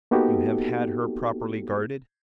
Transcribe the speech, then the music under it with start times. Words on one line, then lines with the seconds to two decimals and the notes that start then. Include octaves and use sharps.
"You have had her properly guarded?"
0.11 A#3 B3 D#4 F#4 G4 A4